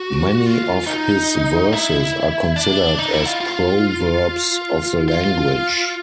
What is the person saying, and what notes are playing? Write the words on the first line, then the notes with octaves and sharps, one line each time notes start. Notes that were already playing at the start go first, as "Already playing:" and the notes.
Many of his verses are considered as proverbs of the language.
Already playing: F#4
F4
D#4
E4
D4
D#4
E4
F4
F4
F4